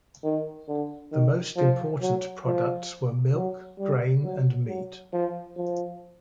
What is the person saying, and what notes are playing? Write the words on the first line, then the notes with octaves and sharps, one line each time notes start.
The most important products were milk, grain and meat.
D#3
D3
D#3
F3
F#3
F3
F#3
G3
F#3
F#3
F3
F3